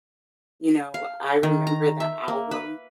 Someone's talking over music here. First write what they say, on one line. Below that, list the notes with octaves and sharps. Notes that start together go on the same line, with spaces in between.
You know, I remember that album,
F5
D#3
A#5
E5
A#3
B4